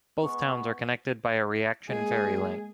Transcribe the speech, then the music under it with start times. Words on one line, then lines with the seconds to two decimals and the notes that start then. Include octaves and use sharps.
Both towns are connected by a reaction ferry link.
0.23 G#3 B3 C#6
1.89 G#3 A#3 G#4